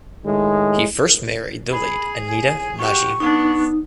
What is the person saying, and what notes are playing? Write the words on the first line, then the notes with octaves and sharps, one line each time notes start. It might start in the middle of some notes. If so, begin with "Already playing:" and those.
He first married the late Anita Majhi.
A2 D#3 G#3
G#4 B5
G#5
F#4 G4 C#6
B3 D4 D#4